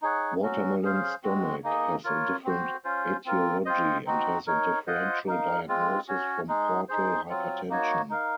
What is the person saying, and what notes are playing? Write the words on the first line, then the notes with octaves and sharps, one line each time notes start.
Watermelon stomach has a different etiology and has a differential diagnosis from portal hypertension.
D#4 G#4 C#5 F#5
F#3 C#4 F#4
C#4 G#4 C5 F5
G#3 C4 F#4
A#3 D#4 G#4 D#5
F4 A#4 C#5
C4 F#4 C5
C#4 F4 C5
C4 F4 A#4
C4 F4 C5 D#5
C4 D#4 F#4
D#4 A#4 C#5
F4 C5 D#5 F#5
D#4 A#4 F5
G#3 C4 F4
C#4 F#4 C#5
G#3 D#4 G#4
D#4 G#4 C5
F#3 C4 F4
A#3 D#4 F#4 C#5
D#4 A#4 F5